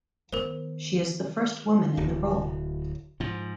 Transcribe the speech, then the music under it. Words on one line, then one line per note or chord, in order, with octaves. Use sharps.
She is the first woman in the role.
D#3 B3 A#4 C5
D1
G#2 F3